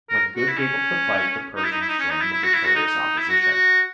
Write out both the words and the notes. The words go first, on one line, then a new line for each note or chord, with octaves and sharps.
When Good gave up the fight the Persians joined the victorious Opposition.
A#4
F#4
E4
C#4
D#4
E4
D#4
E4
D#4
C#4
D#4
E4
E4
F#4
E4
F#4
D#4
D#4
E4
F#4
F#4
F#4